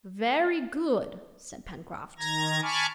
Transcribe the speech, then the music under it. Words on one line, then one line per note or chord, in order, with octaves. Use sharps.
"Very good," said Pencroft.
D#3 A#5 G#6 A#6
G#5 A5 B5 C#6 D6 F6